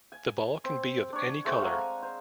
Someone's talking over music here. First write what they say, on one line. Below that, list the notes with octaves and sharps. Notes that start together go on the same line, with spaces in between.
The ball can be of any colour.
G#5
C4
D4 C#5
G#3 A3 C4 F#4
F5 F#5 G#5 A#5
C5